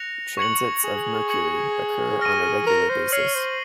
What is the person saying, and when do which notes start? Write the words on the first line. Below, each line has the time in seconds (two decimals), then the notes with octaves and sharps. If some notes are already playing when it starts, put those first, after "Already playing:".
Transits of Mercury occur on a regular basis.
Already playing: F#6 A#6 C#7 F7
0.37 C#6 G#6 C#7 F#7
0.84 G#4
1.29 C#6 G#6 C#7 F#7
2.21 F6 A#6 D#7
2.66 A#4
2.90 C5
3.12 C#5 F6 C7 F#7
3.35 C5